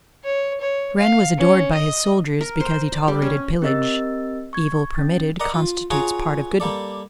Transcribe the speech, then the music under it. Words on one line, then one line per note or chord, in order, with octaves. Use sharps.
Turenne was adored by his soldiers because he tolerated pillage; evil permitted constitutes part of goodness.
C#5
C#5
F5
C#4
D#5
A#4
C5
D5
G3
C#4
C4 G4 A#4 D#5 E6 A6
C#6 G#6
C#4 A6
A#4 D5 D#5 F#5 A#5
F4
F4 F#4 G#4 C#5 A#5
G3 A#3 A4 D5